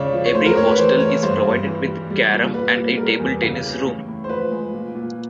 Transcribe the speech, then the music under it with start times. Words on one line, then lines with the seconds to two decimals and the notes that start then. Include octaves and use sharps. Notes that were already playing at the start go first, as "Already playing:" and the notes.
Every hostel is provided with carom and a table-tennis room.
Already playing: C#2 C#3 C#5 D5
0.13 F3
0.26 C#5
0.34 A2 C5
0.46 A#4
0.57 A2 C#5
0.67 B4
0.78 E3 C5
1.00 A3 C#5
1.23 G2 C5
1.44 G2
1.66 E3
1.88 G3
2.10 G3
2.32 A#2
2.54 G3 B4
2.76 A#2
2.98 G3 A#4
3.19 E2
3.42 C#3
3.63 E3
3.85 A2
4.08 A2
4.24 C5
4.29 F3 B4
4.51 G#3
4.74 A#2
4.95 A#2